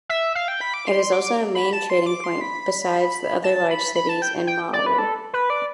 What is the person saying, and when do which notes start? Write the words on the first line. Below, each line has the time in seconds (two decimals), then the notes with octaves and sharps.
It is also a main trading point besides the other large cities in Malawi.
0.09 E5
0.35 F5
0.48 G5
0.61 B5
0.74 D6
0.87 C6
1.13 D6
1.55 B5
1.73 A5
1.90 C6
2.06 D6
2.24 C6
2.41 B5
3.44 A5
3.71 B5
3.95 B5
4.09 A5
4.22 G5
4.47 G5
4.73 D5
4.86 B4
4.98 A4
5.33 B4
5.50 D5